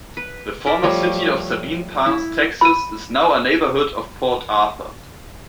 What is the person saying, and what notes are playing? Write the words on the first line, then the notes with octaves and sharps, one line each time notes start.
The former city of Sabine Pass, Texas is now a neighborhood of Port Arthur.
B4
A#4 D5 E5
F3 G3 A3 C#5
E4
B5 D#7